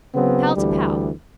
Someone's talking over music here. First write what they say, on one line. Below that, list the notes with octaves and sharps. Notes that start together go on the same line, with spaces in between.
Pal to pal.
C#3 F#3 B3 C4
D2 E3 G3